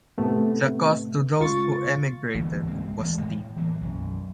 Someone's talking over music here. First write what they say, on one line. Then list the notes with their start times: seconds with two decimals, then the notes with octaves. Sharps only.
The cost to those who emigrated was steep.
0.18 A2 C3 A3 B3
1.40 C#2 F4 C#6 A6
2.34 G1 G2 E3 A#3
2.67 C#2 G#2 G#3 C4
2.98 D#1 E3 G#3 A3
3.22 A2
3.56 E3 F#3 A3 A#3
3.81 B1 F#2